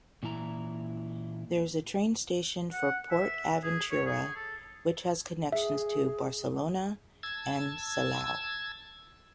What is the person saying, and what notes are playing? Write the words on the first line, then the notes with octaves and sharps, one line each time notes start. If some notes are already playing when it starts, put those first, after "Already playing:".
There is a train station for PortAventura which has connections to Barcelona and Salou.
A#2 E3 E4 A#5
F#5
E5
G#4
C#5
G#4
A4
G#4 E5
A5 E6 G#6